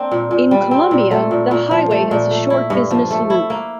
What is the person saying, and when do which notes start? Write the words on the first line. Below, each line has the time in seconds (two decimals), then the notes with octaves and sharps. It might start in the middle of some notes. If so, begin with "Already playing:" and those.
In Columbia, the highway has a short business loop.
Already playing: A#3 C4 D4
0.11 A#2
0.31 A#2
0.51 G3
0.71 C4
0.91 A#2
1.11 A3
1.31 A#2
1.51 A#2
1.71 F3
1.91 A3
2.11 A#2
2.31 A3
2.50 E4
2.70 G2
2.91 F3
3.11 A3
3.30 E4
3.50 A#3